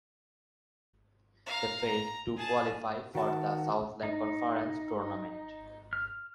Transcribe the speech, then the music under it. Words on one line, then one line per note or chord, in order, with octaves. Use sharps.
They failed to qualify for the Southland Conference Tournament.
F5 A#5
A#5
G#4 A5
D#3 F#4 F#5 A5
D#4
F6